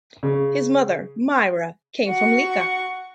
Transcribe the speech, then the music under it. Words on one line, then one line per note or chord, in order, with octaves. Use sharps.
His mother Mira came from Lika.
C#3
F#4 C#6